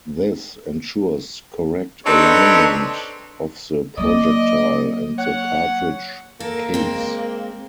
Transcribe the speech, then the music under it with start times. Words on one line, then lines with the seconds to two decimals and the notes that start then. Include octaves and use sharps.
This ensures correct alignment of the projectile and the cartridge case.
2.05 C4 D4 D#4 A4 B4 C#5
3.97 F#3 A#3 D5 D#5
5.18 C#5 F#5
6.40 A#3 A4 A#4
6.74 G#3 C4